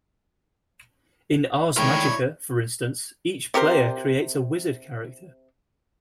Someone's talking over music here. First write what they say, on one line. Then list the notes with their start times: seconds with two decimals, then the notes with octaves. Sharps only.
In Ars Magica, for instance, each player creates a Wizard character.
1.77 D#3 G#3 A3 D4 E4 A#4 C#5 G5
3.54 C3 G4 A#4 C5